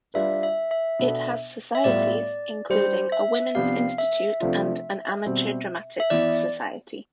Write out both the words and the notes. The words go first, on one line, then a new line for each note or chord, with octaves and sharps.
It has societies including a Women's Institute and an amateur dramatics society.
G3 D4 F4 B4 E5
E5
E5
B2 B3 D4 A4 E5
E5
A2 G3 B3 F4 D5
G3 D4 G4 C5
E5
C3 F3 B3 D4 G4 F5
E5
C3 F3 A3 D4 F4
B2 G3 C4
E5
E3 B3 E4 D5